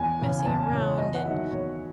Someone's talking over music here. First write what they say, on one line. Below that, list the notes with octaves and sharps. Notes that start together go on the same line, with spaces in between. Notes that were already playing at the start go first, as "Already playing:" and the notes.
messing around and
Already playing: E2 G#5
C#3 E3
G#5
E2 A5
G#5
C#3 E3
C#5
E2 D#5
F#5
D#3 F#3 E5
E2 C#5